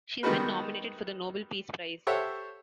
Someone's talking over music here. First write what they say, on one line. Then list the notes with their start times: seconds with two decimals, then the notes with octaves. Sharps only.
She has been nominated for the Nobel Peace Prize.
0.23 D#3 G3 G#3 B3 F#4 B4
2.07 G4 A4 C5 C#5 E5 F#5